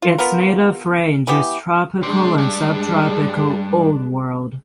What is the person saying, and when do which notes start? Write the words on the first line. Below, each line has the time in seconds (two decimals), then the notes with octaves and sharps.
Its native range is Tropical and Subtropical Old World.
0.02 F4
0.18 B3 F4 A#4
1.27 E3 B3 G4
2.03 C3 G3 G#3 D4
2.38 G2